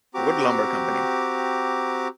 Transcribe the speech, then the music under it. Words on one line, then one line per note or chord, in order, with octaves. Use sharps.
Wood Lumber Company.
C4 F#4 G4 A#5 D6